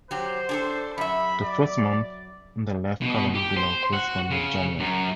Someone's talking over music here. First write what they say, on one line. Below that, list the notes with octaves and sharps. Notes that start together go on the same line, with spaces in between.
The first month in the left column below corresponds with January.
F#3 G4 C5
D4 G#4 A4
F#2 E5 B5
D5
B2
G4
C5
F#4
C#3
F#2